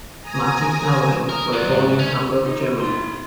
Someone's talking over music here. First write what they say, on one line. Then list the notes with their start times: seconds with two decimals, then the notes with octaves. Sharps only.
Mati Klarwein was born in Hamburg, Germany.
0.21 G#5 A#5 D#6
1.29 A#4 D#6
1.53 G#2 D5
1.99 C#4 C#5
2.46 D#4
2.80 E4 C6